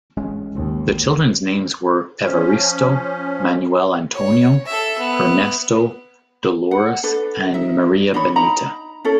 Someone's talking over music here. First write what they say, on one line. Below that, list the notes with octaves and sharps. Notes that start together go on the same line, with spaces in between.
The children's names were Evaristo, Manuel Antonio, Ernesto, Dolores and Maria Benita.
A1 G#3 C#4
D#2
F3 C#4
C#5
A4 E5
B3
F#5
D4 A4 B4
D#4 E5
D4 D#4 C#5 B5
D#4 A#5 B5
C#4 E4 A4